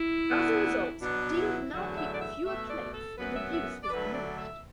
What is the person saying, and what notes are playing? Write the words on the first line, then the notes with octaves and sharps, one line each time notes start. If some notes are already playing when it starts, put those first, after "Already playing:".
As a result, dealers now keep fewer plates and abuse has diminished.
Already playing: E4
D2 D3 B3
B2 F#3 B3 D4
E4
E2 D3 F#3 A3 F#4
E5
D5
E5
B2 A3 E5
D5
A4
F#2 F#3 B3 B4
E5
E5
D5
D2 D3 F#3 A3 B4
D5
E5